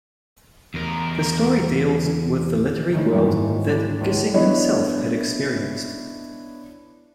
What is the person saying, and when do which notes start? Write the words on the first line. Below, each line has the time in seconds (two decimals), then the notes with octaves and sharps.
The story deals with the literary world that Gissing himself had experienced.
0.74 E2 A#4
2.93 D#3 G#3 A3 C#4 D#4 E4
3.11 F#2 E3 G3 A#3 E5 C#6
3.26 G#2 F3
3.70 D4 E4
4.01 C#2 G#3 D#7
4.34 B3 D4 E4 C#5 D#5